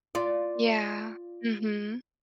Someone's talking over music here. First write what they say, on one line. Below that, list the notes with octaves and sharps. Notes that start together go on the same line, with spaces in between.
Yeah. Mhm.
F4 D5